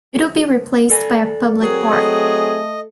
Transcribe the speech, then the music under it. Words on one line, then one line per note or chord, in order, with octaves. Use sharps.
It will be replaced by a public park.
A4 D5 G#5
F#3 C4 G#4 A#4
A3 A4 D#5